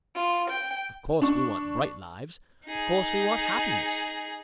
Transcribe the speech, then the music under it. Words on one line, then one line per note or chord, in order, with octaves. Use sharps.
Of course we want bright lives, of course we want happiness.
F4
G5
D4 C#6
D#4 G#4